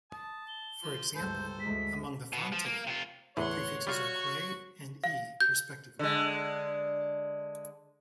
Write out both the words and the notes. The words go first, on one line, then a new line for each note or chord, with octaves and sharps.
For example, among the Fante, the prefixes are "kwe-" and "e-", respectively.
A5 D#6
G7
F3
G1 C#2 A4 C5 G6
D2 G#3 B6
B2
F3
A#3
C3 F4
E2 A2 C#5 F#5 C6
G3 F4 F#4 C#6
F5
G6
D3 G#3